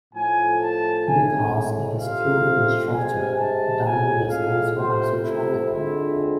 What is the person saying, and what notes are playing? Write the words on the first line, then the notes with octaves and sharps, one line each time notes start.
Because it is cubic in structure, diamond is also isotropic.
A2 F3 A3 G#5
A5
A2 G#3 C4 G#5
C3 F3 A3 C4 F5
C3 G#3 C4 G#5
A5
A2 F3 G#3 C4 G#5
F5
C3 F3 A3 C4 C5
E4
D3 F3 G#3 C4 E4